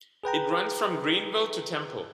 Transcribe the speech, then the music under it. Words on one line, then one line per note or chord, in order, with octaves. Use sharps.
It runs from Greenville to Temple.
G#4 B4 G5 A#5